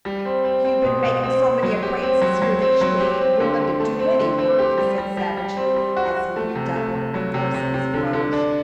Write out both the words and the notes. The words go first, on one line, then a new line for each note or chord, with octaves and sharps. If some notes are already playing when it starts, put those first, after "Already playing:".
"You've been makin' so many acquaintances here that you hain't willin' to do any work," he said, savagely, as he redoubled the force of his blows.
G3
C4
C4
C4
B2
B2
C4
C4
F#3
G4
C4
F#3
F#3
C4
F#3
G4
C4
D3
D3
A3
C4
D3
C4
G4
G3
G3
G3
G3
C4
G3
F#4
F#4
A3
C3
A3
C3
F#3
C3
C3
C3
D3
D3
D4